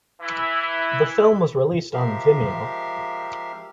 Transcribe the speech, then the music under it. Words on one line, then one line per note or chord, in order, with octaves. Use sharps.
The film was released on Vimeo.
E3 E4
F3 G#3 G4 A#4 E5 F5